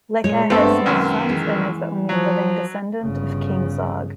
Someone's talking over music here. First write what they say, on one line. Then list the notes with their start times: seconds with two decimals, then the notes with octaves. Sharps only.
Leka has no sons and is the only living descendant of King Zog.
0.24 A#2 G#3 C#5
0.50 G2 A3 B3 C4 A4
0.86 C2 F#2 D#3
1.29 E3 G#3
2.09 F3 F#3
3.02 G1 C#3